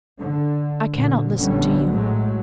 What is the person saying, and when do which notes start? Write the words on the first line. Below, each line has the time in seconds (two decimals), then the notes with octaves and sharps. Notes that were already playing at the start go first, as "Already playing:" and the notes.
I cannot listen to you.
0.19 D3
0.94 D2 A#2 D3
1.38 A#1 D3 G3 B3 C#4
1.89 A2 F#3 G#3 A3